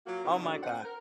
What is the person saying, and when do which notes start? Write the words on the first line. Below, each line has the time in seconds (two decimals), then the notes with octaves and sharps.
oh my god.
0.06 F#3 A#3 F4 F#4
0.24 C#3 F3 B3 C4 D#4
0.42 A2 D3 F#3 D4
0.62 C4 C5 F#5
0.83 A#4